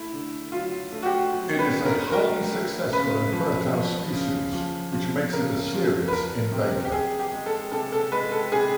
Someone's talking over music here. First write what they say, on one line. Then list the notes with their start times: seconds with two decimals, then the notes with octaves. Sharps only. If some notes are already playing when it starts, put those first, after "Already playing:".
It is a highly successful and fertile species, which makes it a serious invader.
Already playing: A3 E4
0.13 D3
0.52 F#3 F4
0.92 A3
1.02 F#4
1.06 G4
1.33 F#3
1.59 B4
1.73 D3
1.86 A#4
2.12 F#3 A#4
2.53 A3
2.92 C#3 B4
3.32 F3
3.73 F3
4.12 C#3
4.53 F3
4.93 F3
5.32 C#3 A#4
5.73 F3
6.08 B4
6.12 F3 A#4
6.52 C3
6.85 G4
6.92 C3 G#4
7.19 G4
7.32 G#3
7.46 A4
7.72 C3 A4
7.92 A4
8.12 G#3 B4
8.32 A4
8.52 C3 G#4